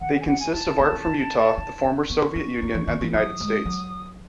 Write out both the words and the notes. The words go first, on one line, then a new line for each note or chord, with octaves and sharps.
They consist of art from Utah, the former Soviet Union and the United States.
D#3 F#5
F#5
G#5
C#4 F#5
G#5
D#4 A5
C#4
B3
C#4
D#4
D#4
C#4
B3 C#6
C#4
D#4
E3
D#3
E3
F#3 D#6
G#3
F#3